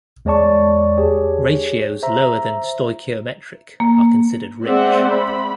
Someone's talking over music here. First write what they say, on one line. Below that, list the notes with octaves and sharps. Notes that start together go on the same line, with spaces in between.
Ratios lower than stoichiometric are considered "rich".
E2 G#3 C#5 D5 A5 C#6
G4 G#4 C#5
C5 E5 A#5
A#3
G#3 C4 C5 D5 E5 F#5
B5